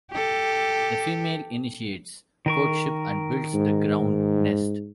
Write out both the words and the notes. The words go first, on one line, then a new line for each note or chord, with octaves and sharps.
The female initiates courtship and builds the ground nest.
G4 A4
D#3 A#4 C#6
G#2